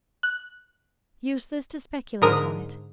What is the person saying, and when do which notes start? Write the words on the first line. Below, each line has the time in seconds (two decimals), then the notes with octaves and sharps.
Useless to speculate on it!
0.23 F#6
2.22 G#2 D3 A#4 D#6